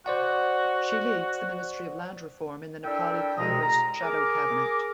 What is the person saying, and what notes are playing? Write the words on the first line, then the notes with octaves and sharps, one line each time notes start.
She leads the Ministry of Land Reform in the Nepali Congress shadow cabinet.
F#4 C5 D5 F#5
D4 E4 A4 A#4 E5 G5
C2 B2 G#3 G#4 A#5 D#6
A#5
G#4 A#4 D6